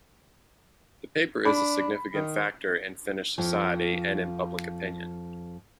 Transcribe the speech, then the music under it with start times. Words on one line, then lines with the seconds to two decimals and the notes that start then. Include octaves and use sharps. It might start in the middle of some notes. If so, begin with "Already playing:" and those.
The paper is a significant factor in Finnish society and in public opinion.
1.45 D4 B5
2.14 D#3
3.38 F2 F3